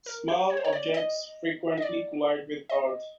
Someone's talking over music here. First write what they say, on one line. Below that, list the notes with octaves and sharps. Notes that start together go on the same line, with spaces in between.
Small objects frequently collide with Earth.
A#4
C5
C#5
C5
C#5
D5
D#5
D#5
D5
D#5